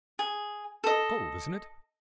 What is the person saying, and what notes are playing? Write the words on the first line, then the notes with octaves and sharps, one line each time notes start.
"Cold, isn't it?"
G#4
A4 D#5